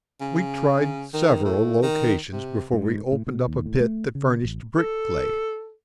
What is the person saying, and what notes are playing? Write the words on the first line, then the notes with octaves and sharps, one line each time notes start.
We tried several locations before we opened up a pit that furnished brick clay.
C#3
D#3
A2
D#3
C3
G#2
A2
B2
D#2
A2
A3
C#3
A1
A4